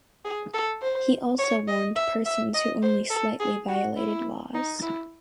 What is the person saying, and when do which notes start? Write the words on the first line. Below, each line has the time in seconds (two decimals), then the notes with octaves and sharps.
He also warned persons who only slightly violated laws.
0.25 G#4
0.54 A4
0.82 C5
1.39 C#5
1.68 D#5
1.96 E5
2.26 E5
2.54 D#5
2.82 C5
3.10 A4
3.40 G#4
3.68 F#4
3.97 E4
4.54 D#4
4.82 E4